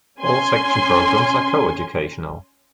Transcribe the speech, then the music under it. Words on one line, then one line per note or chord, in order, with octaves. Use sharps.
All section programs are coeducational.
C#4 G#5 C6